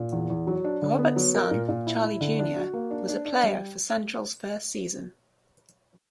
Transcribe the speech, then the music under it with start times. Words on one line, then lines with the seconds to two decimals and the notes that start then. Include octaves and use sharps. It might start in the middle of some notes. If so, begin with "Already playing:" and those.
Roberts' son, Charlie Junior was a player for Central's first season.
Already playing: A#2
0.12 E2
0.30 E2
0.47 F#3
0.64 D4
0.82 D3
0.99 B3
1.16 F#3
1.34 A#4
1.51 A#2
1.68 A#2
1.87 E4
2.04 E4
2.21 D3
2.39 D4
2.56 F#4
2.73 A#3
2.91 D4
3.09 D4
3.25 D4
3.43 G3